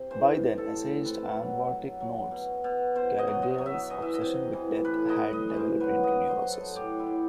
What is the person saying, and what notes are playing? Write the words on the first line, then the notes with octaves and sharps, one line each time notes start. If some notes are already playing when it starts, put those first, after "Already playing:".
By then, essayist Ion Vartic notes, Caragiale's obsession with death had developed into "neurosis".
Already playing: C3
E3 C5
A2
A4
A2
C3 B4
F#3
F#3
F#3
B2
B2
B2 C5
D#5
F#3
D#5
F#3
E5
E3 D#5
E5
D#5
C3
E3
A2 B4
D#5
A2
D#5
E3
C5
F#3 B4
D#5
F#3
C5
F#3
A4
A2 G4
E4
A2